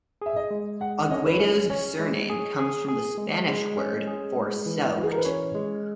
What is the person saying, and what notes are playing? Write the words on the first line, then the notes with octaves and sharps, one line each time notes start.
Aguado's surname comes from the Spanish word for soaked.
G#4 E5
D#5
G#3
G#3 F#5
F#5
C#4 D#5
B4
C#5
C#4 D#5
C#4 C#5
G#3
G#4
G#4
G#4
G#3
G#3
C#4
G#4
G#3
E3
E3 F#4
G#4
A#4
B4
C#4 C#5
G#3